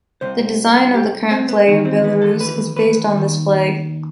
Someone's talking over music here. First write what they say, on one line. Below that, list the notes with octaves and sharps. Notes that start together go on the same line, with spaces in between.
The design of the current flag of Belarus is based on this flag.
C2 C3 C5
G4
C4
B3
E2 D#3 D#4
C4
B3
A4
B4
B4
D#2 D#3